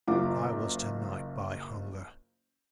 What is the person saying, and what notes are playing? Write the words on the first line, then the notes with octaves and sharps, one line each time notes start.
I was to-night, by hunger.
F#1 F4 D6